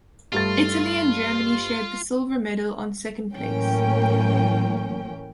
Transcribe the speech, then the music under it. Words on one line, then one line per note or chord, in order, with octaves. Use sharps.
Italy and Germany shared the silver medal on second place.
G2 A3 F4 A6
A2 E3 F#3 A#3 C#4 G5